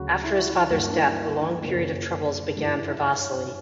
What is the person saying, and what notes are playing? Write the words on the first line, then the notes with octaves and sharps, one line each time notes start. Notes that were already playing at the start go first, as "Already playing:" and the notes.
After his father's death, a long period of troubles began for Vasily.
Already playing: D2 C#3 F#3 F#4
E4
F#4
E4
G2 F#3 A#3 F#4
E4
D4
E4
F#2 C#3 F#3 A#3
G2 E3 G3 D4
E4
D4
E4
C#5